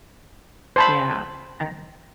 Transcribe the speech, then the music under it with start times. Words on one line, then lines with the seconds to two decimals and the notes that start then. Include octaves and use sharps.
Yeah. I
0.76 C5 A5 B5